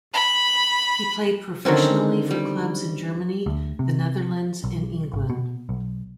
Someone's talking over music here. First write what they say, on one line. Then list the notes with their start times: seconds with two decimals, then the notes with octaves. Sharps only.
He played professionally for clubs in Germany, the Netherlands and England.
0.13 B5
1.65 D3 D#3 C4 C#4
2.31 G3
3.46 D2
3.79 C3
4.64 B1
5.13 G#1
5.30 B2
5.69 B1